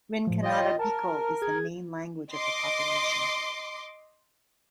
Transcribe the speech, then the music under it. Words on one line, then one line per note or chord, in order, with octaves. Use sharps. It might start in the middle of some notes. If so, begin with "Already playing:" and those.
Rinconada Bikol is the main language of the population.
A2 F3
F4 C#5 D#5 G5
A#4 A5
G#4 G#6
D#5 C6 D6